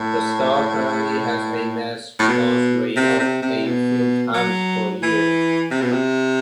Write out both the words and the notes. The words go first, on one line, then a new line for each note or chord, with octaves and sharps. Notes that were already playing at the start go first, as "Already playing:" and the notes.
The star currently has a mass loss rate of a few times per year.
Already playing: A2
A2
B2
C3
C3
C3
B2
F#3
E3
C3
B2
C3